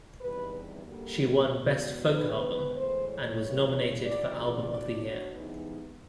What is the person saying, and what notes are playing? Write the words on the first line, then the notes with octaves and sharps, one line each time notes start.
She won Best Folk Album and was nominated for Album of the Year.
E2 C3 D#3 G3 B4
D2 D3 G3 A#3
E2 B2 G#3
G#2 D#3 G#3 B3 B4
A2 E3 G#3 C5
C#5
G2 E3 G#3
F#2 C#3 E3 G#3 B3 D5
D5
B2 F#3 B3 D4 D5
C#5
C3 E3 G#3 B3 D#4